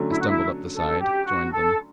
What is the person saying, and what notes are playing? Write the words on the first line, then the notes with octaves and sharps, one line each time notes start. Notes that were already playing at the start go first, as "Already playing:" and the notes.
I stumbled up the side; joined them.
Already playing: D3 F#3 A3 C#4
E4
F#4
E4
A4
G4
F#4
A4